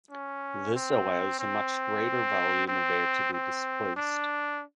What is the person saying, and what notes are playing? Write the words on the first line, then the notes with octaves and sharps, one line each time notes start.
This allows a much greater volume of air to be displaced.
C#4
C4
C4
C4
C4
D4